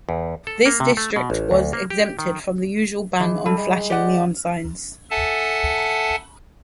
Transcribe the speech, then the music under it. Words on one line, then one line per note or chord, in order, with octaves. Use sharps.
This district was exempted from the usual ban on flashing neon signs.
E2
A4
A#3
C3
A3
B2
A1
D2
A#3
G4
D#3
E3 G#3
G3 A4
G#3
G4 D5 F#5
A4 E5 F#5 G#5 A5